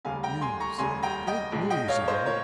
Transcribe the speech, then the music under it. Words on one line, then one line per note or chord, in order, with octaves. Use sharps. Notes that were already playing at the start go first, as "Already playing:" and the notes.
'News! great news!' he wrote.
F1 D#2 C#3 G3 F5 G#5
G5 A#5
G#5 C6
A#5 C#6
F1 D#2 C#3 G3 G#5 C6
G5 A#5
D#5 G5
A#1 A#2 G#3
D#5 G5
C#5 F5
C5 D#5
A#2 A#4 C#5